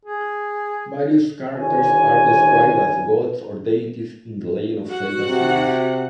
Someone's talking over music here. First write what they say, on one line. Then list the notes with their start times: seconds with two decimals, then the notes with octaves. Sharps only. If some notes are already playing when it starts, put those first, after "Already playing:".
Various characters are described as gods or deities in "The Legend of Zelda" series.
0.05 G#4
1.54 G1 D#2 B4 C#5 G#5
4.86 F#4 F#5
5.28 C3